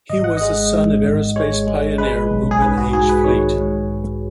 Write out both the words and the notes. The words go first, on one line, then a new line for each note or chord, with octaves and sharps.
He was a son of aerospace pioneer Reuben H. Fleet.
G#1 D#5
F#5
G#3 D#5
G#2
G#1
G#3 C#5
G#3
G#3 B4
B1
G#4
G#2 B4
F#4
G#2 G#4
B4
D#3 C#5
G#2